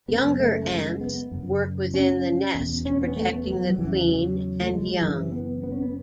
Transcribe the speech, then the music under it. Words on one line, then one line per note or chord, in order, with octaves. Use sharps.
Younger ants work within the nest protecting the queen and young.
F#2 C#3 B3
A3
A3
G#3
B3
F#2 C#3
C#4
E2 B2
C#4
B3
A3
B3
F#3
F#3
E2 C#3 E3
F#3
A3
G#3
F#3
F#2 C#3 E3
B3
B3
C#4
B3